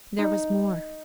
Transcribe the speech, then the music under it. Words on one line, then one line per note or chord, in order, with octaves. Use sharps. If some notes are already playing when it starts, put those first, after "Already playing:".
There was more.
D#4